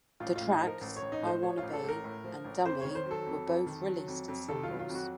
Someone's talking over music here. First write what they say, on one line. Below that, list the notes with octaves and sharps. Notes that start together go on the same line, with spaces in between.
The tracks "I Wanna Be" and "Dummy" were both released as singles.
A1 F4
A2 F4
D#4
F3
A#4
A1
C#5
A1
D#4
A2 C5
F3 C#5
F4
A1
A4
A1 A#4
A2
F3
A1
F2 C5
D#3 C#5
C5
F#3
A4
F2
F2
D#3
F#3
F2
F2
D#3 A4
F4
F#3
F4
F2
F#4